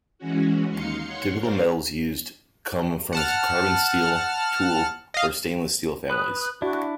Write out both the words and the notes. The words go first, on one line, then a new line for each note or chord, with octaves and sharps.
Typical metals used come from the carbon steel, tool, or stainless steel families.
E3 G#3 C#4 F#4
D#2 D#4 F5 C6 C#7
C#5 F#5 C6 C#6
A#4 C5 D5 F5
F#5 A5 F6
D#5 F5
B4 D#6 F#6
D4 E4 F#4